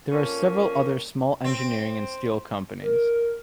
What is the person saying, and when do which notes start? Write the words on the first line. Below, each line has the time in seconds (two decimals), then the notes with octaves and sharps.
There are several other small engineering and steel companies.
0.12 F2 A#3 C#4 D5
1.45 C4
2.82 A#4